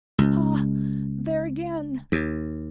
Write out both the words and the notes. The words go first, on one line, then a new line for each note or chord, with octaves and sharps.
Hah! there again!
C#2
D#2